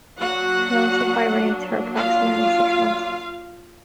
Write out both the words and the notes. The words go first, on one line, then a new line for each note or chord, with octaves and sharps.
It also hibernates for approximately six months.
F#3 A#3 D4 F#4 F#5
F4 F5